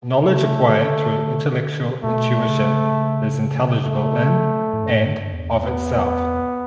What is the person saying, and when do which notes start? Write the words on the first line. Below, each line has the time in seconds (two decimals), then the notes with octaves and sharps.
Knowledge acquired through intellectual intuition is intelligible in and of itself.
0.24 C#3 A3
0.69 D3
2.04 B2 A3
2.49 C#3
3.83 A3
4.73 A2
4.83 G2
4.93 A2
5.03 G2
5.33 E2
5.63 B3